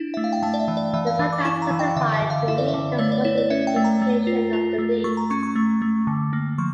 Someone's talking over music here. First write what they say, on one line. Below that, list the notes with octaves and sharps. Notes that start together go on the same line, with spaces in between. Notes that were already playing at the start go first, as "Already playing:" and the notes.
It is sometimes simplified to mean a social justification of belief.
Already playing: D4 E4
A3 E5
F5
G5
A3 A5
D5
E5
E3
D5
E3 E5
F5
E3
D6
E4 C#6
A#5
E3
G5
D3 E5
E5
D3
F5
E4 E5
D5
E5
D3
A3 C#5
D5
E4 C#5
D5
C#4 E5
G5
A3
A#5
A3
F4
F4
A3
A3 C#6
A#5
C#4 C#6
C#6
A3
A3
D3
A#3
F3 C#6